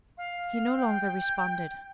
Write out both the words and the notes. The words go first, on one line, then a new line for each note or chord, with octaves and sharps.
He no longer responded.
F5
G5